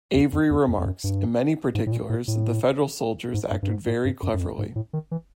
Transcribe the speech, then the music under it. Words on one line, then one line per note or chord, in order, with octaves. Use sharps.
Avery remarks: In many particulars the Federal soldiers acted very cleverly.
E2
F2
E2
F2
F2
F#2
G2
G#2
A2
A#2
A2
A2
G#2
G2
G2
G#2
A2
G2
F#2
F#2
F2
G#2
A2
D#3
E3